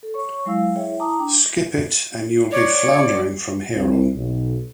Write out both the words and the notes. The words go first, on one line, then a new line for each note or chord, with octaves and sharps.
Skip it and you'll be floundering from here on.
A4
C#5 C#6
F#3 G#3 E4 F5 E6
E4 G#4 C#5 E5 G5
E4 A5 A#5 D6 D#6
D4 G5 D6
C#5 D5
C2
B1